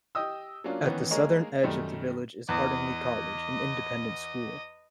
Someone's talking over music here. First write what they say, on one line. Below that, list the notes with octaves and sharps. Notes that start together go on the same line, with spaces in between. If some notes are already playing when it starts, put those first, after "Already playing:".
At the southern edge of the village is Ardingly College, an independent school.
G4 D#5 D#6 E6
F#3 A#3 C#4 D4 F4
D#3 E3 B3 C#4
G#3 A#3 D#4 G#4 A#4 C#5
F#2 D#3 G3 A3 D#4
E2 D#5